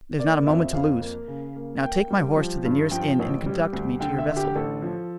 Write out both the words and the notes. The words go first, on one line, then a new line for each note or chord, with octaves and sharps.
"There's not a moment to lose; now take my horse to the nearest inn and conduct me to your vessel."
A#3 D5
F2 E5
F2 F5
A#3
C#3
A#3
A#3 G5
G3
F3
G2
F3 G5
A1
G3
D2
D3 G5
E5
D3
G4
A1 A4
F3